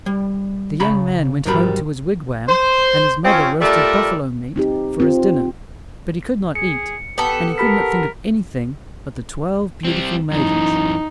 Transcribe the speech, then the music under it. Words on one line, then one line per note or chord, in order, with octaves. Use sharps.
The young man went home to his wigwam, and his mother roasted buffalo meat for his dinner; but he could not eat, and he could not think of anything but the twelve beautiful maidens.
G3
C#3 C#4 A#5 B5
C2 G#2 F#3 G3 A#4 B5
C5
F3 C4 C#4
G3 A3 F4 A4 A#4 D5
C4 D#4 G4
C4 F4
G#4 C#7
B3 G4 A4
G4 A#4 B5 B6
G3 C4
F#2 E3 D#4